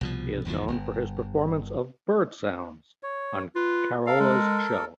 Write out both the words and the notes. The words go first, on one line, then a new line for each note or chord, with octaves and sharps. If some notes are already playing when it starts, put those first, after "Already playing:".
He is known for his performance of bird sounds on Carolla's show.
C2 B2 F3
F#1 E2 D#3 F3
G1
C#5
F4 B4
A4 A#4 F5
G#3